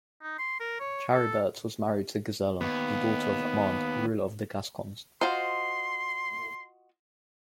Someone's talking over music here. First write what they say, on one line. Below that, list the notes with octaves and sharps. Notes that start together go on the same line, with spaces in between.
Charibert was married to Gisela, the daughter of Amand, Ruler of the Gascons.
D#4
C6
A#4
C#5
A4
D#2 B3
F4 F#4 C5 D#5 C6